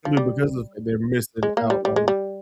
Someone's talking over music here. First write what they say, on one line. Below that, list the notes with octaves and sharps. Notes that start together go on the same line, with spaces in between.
simply because of the fact they're missing out on,
F3
G3
G#3
A#3
G3
G3
G#3
G3